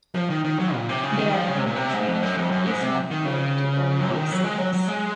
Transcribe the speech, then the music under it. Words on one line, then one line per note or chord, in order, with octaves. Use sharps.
There are many trains from Islampur to other big cities.
F3
D#3
D#3
F#3
A#2
C3
C#3
D#3
F3
C#3
C3
A#2
C3
G#2
F2
F#2
F2
F#2
G#2
C3
D#3
C#3
F#2
D#3
F#3
G#3
F#3
F#3
G#3